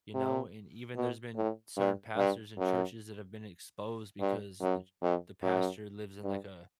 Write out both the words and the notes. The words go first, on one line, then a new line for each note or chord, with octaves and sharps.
you know, and even there's been certain pastors and churches that have been exposed because the ch the pastor lives in like a
C3
B2
A2
G2
G2
F#2
G2
F#2
F2
F#2
G2